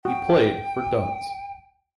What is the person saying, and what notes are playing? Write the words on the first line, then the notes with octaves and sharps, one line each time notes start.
He played for Duns.
F#4 G5